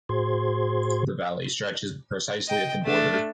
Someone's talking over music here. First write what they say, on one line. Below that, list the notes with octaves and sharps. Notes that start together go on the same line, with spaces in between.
The valley stretches precisely at the border.
A2 F#4 G#4 C5 C6 G#6
D#5 G5
A3 D4